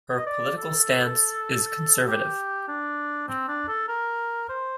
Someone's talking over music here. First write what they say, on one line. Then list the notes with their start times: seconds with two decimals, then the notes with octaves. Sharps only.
Her political stance is conservative.
0.16 D#5
0.27 D5
0.57 A4
2.08 G4
2.68 D4
3.28 C4
3.48 D4
3.68 A4
3.88 A#4
4.49 C5